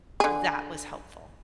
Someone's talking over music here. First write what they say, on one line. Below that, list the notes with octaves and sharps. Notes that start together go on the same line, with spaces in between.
that was helpful.
D3 G#4